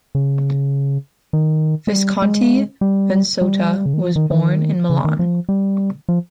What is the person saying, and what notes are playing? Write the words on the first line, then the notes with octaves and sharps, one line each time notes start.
Visconti-Venosta was born at Milan.
C#3
D#3
G#3
G3
G#3
G3
G3
C#3
D#3
F3
D#3
D#3
C#3
D#3
F3
G3
F3